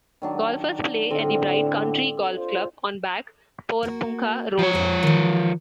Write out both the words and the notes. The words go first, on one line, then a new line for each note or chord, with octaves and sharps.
Golfers play at the Bright Country Golf Club on Back Porepunkah Road.
D#3 F#3 D4
A2 D3 C4 F4 A4
F4 C5
A#3 F#4
F3 C#5 G5
F2 G#5
D#3 E3